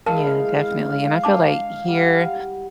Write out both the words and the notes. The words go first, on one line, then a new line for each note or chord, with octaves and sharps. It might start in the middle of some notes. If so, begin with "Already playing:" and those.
Yeah, definitely, and I feel, like, here,
G#3 E4 A#4 F5 A5
D4 A5 D6
G3 F#5